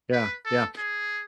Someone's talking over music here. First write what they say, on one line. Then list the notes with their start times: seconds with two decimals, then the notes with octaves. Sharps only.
Yeah, yeah.
0.13 B4
0.45 A4
0.78 G#4